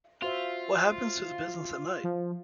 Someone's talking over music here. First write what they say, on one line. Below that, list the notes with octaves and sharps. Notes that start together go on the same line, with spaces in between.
What happens to the business at night?
F4 F#4 C5 E5
F3